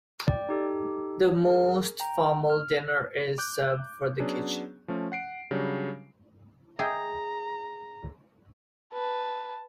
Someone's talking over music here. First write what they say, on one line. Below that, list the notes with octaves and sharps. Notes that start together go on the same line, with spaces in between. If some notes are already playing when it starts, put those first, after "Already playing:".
The most formal dinner is served from the kitchen.
D5 G5
D#4 G4 A4
G#4 A#4
G5 A#5
F6
D6 F#6 G6
F#3 B3 C#4 D4 G#4
F3 A3 C#4
F#5 C7 D7
C#3 F#3 G3 D4
G#4 D#5 E5 G5 A#5
B4 A5